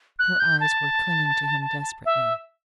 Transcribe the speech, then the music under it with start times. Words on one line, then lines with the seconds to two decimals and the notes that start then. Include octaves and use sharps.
Her eyes were clinging to him desperately.
0.19 F#6
0.40 G6
0.60 A5
2.05 E5